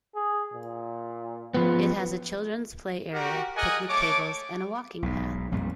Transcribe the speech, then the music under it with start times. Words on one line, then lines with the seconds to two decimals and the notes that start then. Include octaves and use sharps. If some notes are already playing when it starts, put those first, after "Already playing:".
It has a Childrens Play Area, Picnic Tables, and a Walking Path.
0.15 G#4
0.53 A#2
1.54 F3 B3 B4
3.13 F#4 G4 A#4
3.56 G#4 A#4 D5 D#5 F#5 G#5
3.89 A3 C#5 A5 D6
5.02 B1 G#2
5.52 A#1 F2 A2 G3